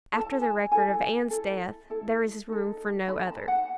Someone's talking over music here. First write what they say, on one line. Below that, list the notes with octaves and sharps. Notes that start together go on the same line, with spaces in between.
After the record of Anne's death, there is room for no other.
E4 A4 A5
G#5
E4 A4 G#5
E4 A4
E4 A4
D#4 A4
D#4 A4 B5
A5
F#5